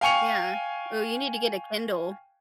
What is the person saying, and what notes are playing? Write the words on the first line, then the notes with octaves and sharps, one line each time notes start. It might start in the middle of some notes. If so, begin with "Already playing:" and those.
Yeah, ooh, you need to get a Kindle.
F5 G5 G#5 C#6 C#7 F7